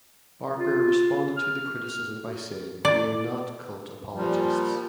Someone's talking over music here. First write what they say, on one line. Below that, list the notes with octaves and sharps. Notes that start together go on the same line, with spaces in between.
Barker responded to the criticism by saying, We are not cult apologists.
F4
F6
F#4
D5
A#2 F3 G3